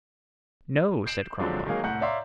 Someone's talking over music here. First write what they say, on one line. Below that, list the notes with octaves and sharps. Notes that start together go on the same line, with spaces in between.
"No," said Cromwell.
G6 C7 D7 E7 F#7
D3 F3 F#3 G#3 C4 D4
D#3 F#3 G#3 A#3 G#4 F5
C2 A2 F#5 G6
C#5 D5 E5 F5 A#5 C6